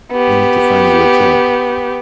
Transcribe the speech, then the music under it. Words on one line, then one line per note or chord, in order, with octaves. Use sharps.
We need to find you a job.
B3 G4